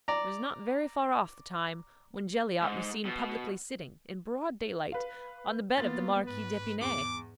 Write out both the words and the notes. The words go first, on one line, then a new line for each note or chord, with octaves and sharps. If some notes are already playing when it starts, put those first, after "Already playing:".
It was not very far off the time when Jelyotte was seen publicly sitting, in broad daylight, on the bed of the Marquise d'Epinay.
D5 A#5
G#2
B2
B4 F5
A#3 B3 F4 A6
G#2 B4
E2 D6